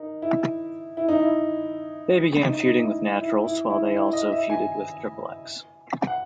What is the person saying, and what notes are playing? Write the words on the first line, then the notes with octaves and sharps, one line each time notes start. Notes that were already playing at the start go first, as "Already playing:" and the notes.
They began feuding with Naturals while they also feuded with Triple X.
Already playing: D#4 A#4
E4
E4
D#4
E4
D#4
D#4
E4
E4
E4
E4
E4
D#5
E5
G#5
F#5